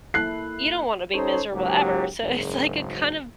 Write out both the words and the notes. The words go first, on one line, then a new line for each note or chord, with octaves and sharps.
you don't want to be miserable ever, so it's like a kind of
A#3 E4 A4 F#6 C7
C#4 D#4 A4 C5 C#5
C#2 G#2 F#3 A#3 G4
F#1 G#2